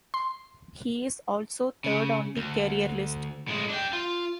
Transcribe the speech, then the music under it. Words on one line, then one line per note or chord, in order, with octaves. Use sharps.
He is also third on the career list.
C6
C#3
D2
A2 G#3
D4 G5
F4